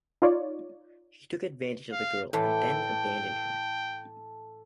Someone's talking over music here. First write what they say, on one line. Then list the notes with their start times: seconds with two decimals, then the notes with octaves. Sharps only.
He took advantage of the girl and then abandoned her!
0.22 D#4 F4 C#5 D5
1.92 F5
2.33 A2 E3 A4 G5 C6 D6